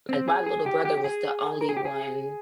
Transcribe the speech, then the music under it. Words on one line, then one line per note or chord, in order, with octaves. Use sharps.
like, my little brother was the only one
C4
G#4
G#4
G4
G4
G4
G#4
A#4
G#4
G4
G#4